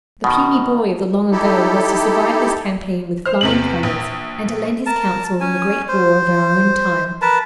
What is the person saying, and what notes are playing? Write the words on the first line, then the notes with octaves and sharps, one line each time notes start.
The puny boy of the long ago was to survive this campaign with flying colors, and to lend his counsel in the Great War of our own time.
B2 D#3
D#4 E4 G4 A4
C5 F6
E2 C3 F#7
A#1
A#4 A5
C#4 G#5
C5
A#4 B4 A5